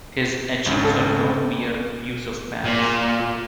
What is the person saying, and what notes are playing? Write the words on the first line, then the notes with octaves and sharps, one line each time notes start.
His etchings are no mere views of Paris.
G#1 C#2 C#4
A4
A#2